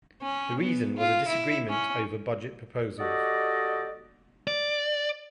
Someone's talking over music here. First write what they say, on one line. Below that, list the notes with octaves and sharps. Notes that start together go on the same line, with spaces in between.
The reason was a disagreement over budget proposals.
C#4
B3
F4
E4
C#4
F#4 G4 A4 D5 D#5
D5